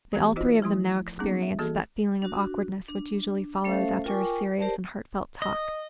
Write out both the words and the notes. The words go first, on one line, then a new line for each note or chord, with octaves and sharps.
They all three of them now experienced that feeling of awkwardness which usually follows after a serious and heartfelt talk.
E3 B3 G4 G#6
D#4 F4 F#4 C5 D#5
F3 A3 E4 C6
G3 A#3 B3 C#4 D#4 G#4
E5
E3 A#3 F#4 G#4 A4
D4 F#4
D4
A3 C#4 A4 C5 E5 F5
F4 A#4 G5 G#5 C#6 D6
G4 A#4 C5 D5 A5
D#5